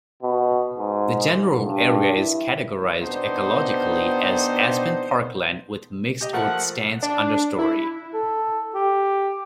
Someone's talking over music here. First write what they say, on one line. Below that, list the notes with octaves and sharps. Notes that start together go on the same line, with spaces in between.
The general area is categorized ecologically as aspen parkland with mixedwood stands understory.
B2
G#2
G2
E4
B2 B3 C4 D4 D#4 C5
G4 D#5
F3 A3 A#4 F#5
D4
E4
A4
G4